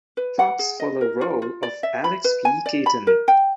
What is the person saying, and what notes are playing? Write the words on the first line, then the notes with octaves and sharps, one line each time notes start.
Fox for the role of Alex P. Keaton.
B4
F#5
G#4
D#5
A#4
F4
F4
D5
E5
B5
B4
G#5
D5
B5
A#4
G5